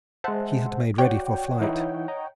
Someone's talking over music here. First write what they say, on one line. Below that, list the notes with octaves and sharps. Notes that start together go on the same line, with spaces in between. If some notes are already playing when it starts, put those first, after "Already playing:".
He had made ready for flight.
G#3 C5 E5 F#5 A5
F#4 C#5 D5 F#5 G5
E3 D#4 E4
D#5 A#5